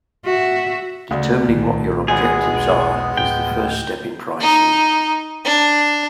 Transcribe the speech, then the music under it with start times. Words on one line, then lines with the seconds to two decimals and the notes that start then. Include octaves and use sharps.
Determining what your objectives are is the first step in pricing.
0.25 F#4 E5
1.11 D2 C#3
1.49 C2 A#2 D#3
2.08 G#1 G#3 B3 G#4 G#5
2.53 E1 B1
3.17 A1 D2 G5
4.41 D#4
5.45 D4